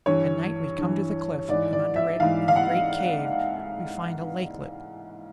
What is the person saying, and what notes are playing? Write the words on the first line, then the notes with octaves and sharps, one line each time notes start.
At night we come to the cliff, and under it, in a great cave, we find a lakelet.
G2 E3 C#5
G2 E3
G#2 E3 D5
D5
E5
G#2 E3 F5
F5
F#5